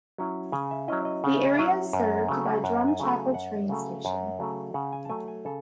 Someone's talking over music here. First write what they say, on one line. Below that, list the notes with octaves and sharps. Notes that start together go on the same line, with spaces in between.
The area is served by Drumchapel Train Station.
F#3 C#4 E4
C#3 G#5
E5
F#3 C#4 E4 D#5
D#5
C#3 F#5
E5
D#5
F#3 C#4 E4 E5
F#2
C#3 F#3 A3
F#2 F#5
G#5
C#3 F#3 A3
G#5
F#2 F#5
C#3 F#3 A3
F#2
C#3 F#3 A3
C#3 F#5
G#5
A5
F#3 A3 G#5
G#5
C#3 A4